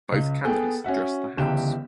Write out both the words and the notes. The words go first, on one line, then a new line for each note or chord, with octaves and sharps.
Both candidates addressed the House.
C#2
B3 G#4 A4 G5
C#4 F#4 E5 F#5
G1 C#2 E3 G4 G5 E7